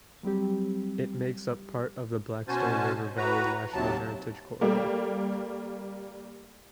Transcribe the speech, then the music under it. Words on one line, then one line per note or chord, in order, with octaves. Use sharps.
It makes up part of the Blackstone River Valley National Heritage Corridor.
F#3 G3 C4 G4
B2 C#4 F#4 C5 G#5 A5
A2 F#4 B4 A#5
D#2 C3 F#3 A5
G3 A3 A#3